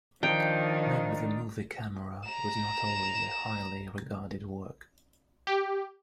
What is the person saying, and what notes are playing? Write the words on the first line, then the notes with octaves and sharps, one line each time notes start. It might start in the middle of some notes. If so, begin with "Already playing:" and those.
"Man with a Movie Camera" was not always a highly regarded work.
D#3 F3 D4 D#4 G5
A#5 E7
G4